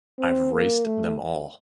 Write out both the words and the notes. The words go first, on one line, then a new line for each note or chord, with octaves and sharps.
I've raced them all.
C4
A#3
A3